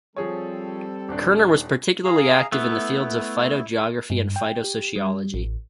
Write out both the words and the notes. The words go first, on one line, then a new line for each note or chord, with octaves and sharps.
Kerner was particularly active in the fields of phytogeography and phytosociology.
F3 G3 C4 G#4 A4 C#5
D#1 D4
G#4 F5 A#5
A3 B3 E4
G2
G5
G4
G3
A1